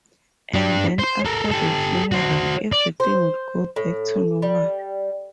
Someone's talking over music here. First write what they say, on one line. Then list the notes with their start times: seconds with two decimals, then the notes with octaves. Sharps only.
And then after the funeral, everything would go back to normal.
0.54 D4 G4
0.99 C5 C6
1.26 A4 A#4
1.51 G4 A4
2.12 F#4 C5
2.73 D5
3.00 C5
3.76 A2
4.42 G3